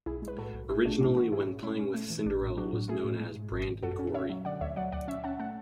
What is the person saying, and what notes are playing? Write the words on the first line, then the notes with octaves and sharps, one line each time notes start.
Originally when playing with Cinderella was known as Brandon Coury.
B1 E4 G#4
G#3
B4
A2 F#4 A4
B1
A1 E4 G#4
A3 D4 F#4
A2 C#4 E4
E3 D4 F#4
G#2 E4 G#4
C#4
G#3 C#4 E4
C#4
A3
E3
A1 D4
A2
F#3 D4 F#4
A2
A3 E4 G#4
A2
G#3
G#2
G#1
G#1
F#2 F#4 A4
C#4
C#4 C#5 E5
F#3
D3 D5 F#5
D2 C#5 E5
F#3 D5 F#5
D2 D5 F#5
C#4 C#5 E5
C#4 F#5 A5
A3 F#5 A5